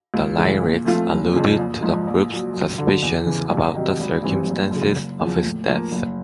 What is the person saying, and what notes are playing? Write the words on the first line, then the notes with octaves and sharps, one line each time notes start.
The lyrics alluded to the group's suspicions about the circumstances of his death.
C#2
C#3 E3 G#3
A#2
F3 A3 C4 F4
F#1
F2 C#3 F3
A#1
G#2 F3
A#1
A#2 F#3
F#2
D3 F#3
E2
C#3 E3
C2
C3 D#3 F#3
G#1
G2 E3 G3 C4
F#1
F#2
C#3
F#1
E2 C#3 F3
A2
F3 A#3
F#1